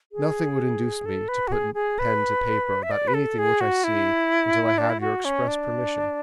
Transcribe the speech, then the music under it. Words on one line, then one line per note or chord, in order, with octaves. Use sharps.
Nothing would induce me to put pen to paper about anything which I see until I have your express permission.
G#4
A4
B4
F#4
G#4
G#4
B4
E5
D5
B4
A4
G#4
F#4
E4
D4
E4
F#4
C#4
D4